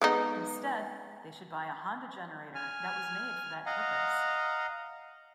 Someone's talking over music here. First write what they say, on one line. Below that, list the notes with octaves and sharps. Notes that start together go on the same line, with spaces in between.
Instead, they should buy a Honda generator that was made for that purpose.
G#3 B3 D#4
G#5 F6
D#5 F5 F#5 A#5